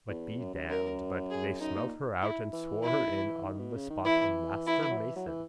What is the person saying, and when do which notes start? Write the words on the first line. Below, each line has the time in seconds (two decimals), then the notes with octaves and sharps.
But be damned but they smelt her out and swore her in on the spot a master mason.
0.09 E2
0.39 F#2
0.54 F#2
0.69 F#2 A#4
1.30 G#4
1.60 F#2 D#4
1.76 A#2
2.22 E4
2.53 E3
2.83 E4
2.96 C#3
3.05 D#3
3.14 E3
3.44 D#3
3.59 B2
3.74 C#3
3.90 D#3
4.05 E3 E4
4.67 E4
4.91 F#3
4.97 E3
5.16 F#3
5.27 E3